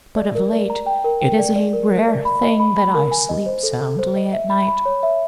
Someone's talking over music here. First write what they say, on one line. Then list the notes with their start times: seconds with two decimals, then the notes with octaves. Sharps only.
But of late, it is a rare thing that I sleep soundly at night.
0.17 D5
0.35 A#4
0.53 D5
0.70 A#5
0.86 G5
1.04 A#4
1.21 G5
1.39 D5
1.56 D5
1.73 A#4
1.90 A#4
2.08 D5
2.25 B5
2.43 D#5
2.60 B5
2.78 B5
2.95 A#4
3.11 G#5
3.29 D#5
3.46 C5
3.63 A4
3.81 A4
3.99 C5
4.16 D#5
4.33 E5
4.50 B5
4.68 B5
4.85 C#5
5.03 E5